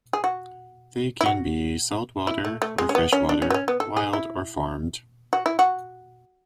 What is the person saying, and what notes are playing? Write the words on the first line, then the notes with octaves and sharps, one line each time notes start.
They can be saltwater or freshwater, wild or farmed.
G#4
F#4
E4
F#4
E4
A3
A3
G#3
C#4
B3
C#4
D4
C#4
B3
C#4
B3
A4
G#4
E4
F#4
E4
F#4